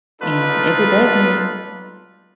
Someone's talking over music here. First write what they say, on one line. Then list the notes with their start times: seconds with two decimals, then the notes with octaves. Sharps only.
And if it doesn't,
0.20 D4 D#4 F4 A4 B4